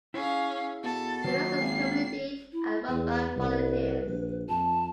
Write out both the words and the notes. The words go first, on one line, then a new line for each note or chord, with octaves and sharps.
The Residents' Committee are run by volunteers.
C#4 E4 G#4 F5
B2 A4
D#3 F#3 A#3 F4 C7
G#1
E4
E2 B4
C2
A#1
F2 A5